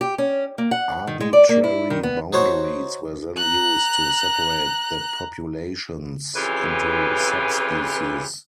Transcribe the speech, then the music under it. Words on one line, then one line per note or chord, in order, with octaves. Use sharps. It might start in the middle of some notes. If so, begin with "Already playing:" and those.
Arbitrary boundaries were then used to separate the populations into subspecies.
G4
C#4
A#3
F#5
D#3
G#3
D5
A#3
E4
D#3
B3
D#4 F#4 C5 C#5 F#5
A#5 F#6
F2 C#3 E3 F4 G4 B4